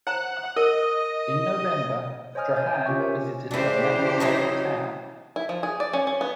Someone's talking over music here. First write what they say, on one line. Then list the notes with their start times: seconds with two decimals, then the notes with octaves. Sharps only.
In November, "Strahan" visited her namesake town.
0.07 C5 F#5 A#5
0.56 A#4 D#5
2.35 C5 C#5 D#5 G#5 D#6 F6
2.56 G#5 G6
2.69 G5
2.86 C#4 F4 G4 C#5 E5 C#6
2.99 A#4 C5 G#5
3.51 C#3 E3 D4 G4 C5
4.20 E3 F#3 D#4
5.36 E4
5.49 F3
5.63 G#4
5.80 D5
5.93 C#4
6.07 C#4
6.21 B3